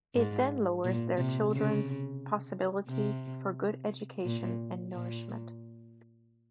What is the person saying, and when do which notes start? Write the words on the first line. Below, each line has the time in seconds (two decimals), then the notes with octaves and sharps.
It then lowers their children's possibilities for good education and nourishment.
0.15 G#2
0.84 A#2
1.17 C3
1.53 C#3
2.88 C3
4.24 A#2
4.93 A#2